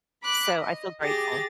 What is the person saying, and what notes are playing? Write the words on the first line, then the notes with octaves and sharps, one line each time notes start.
So, I feel grateful.
B5 D6 F#6
D#5
G4 G#4 D6 A6 A#6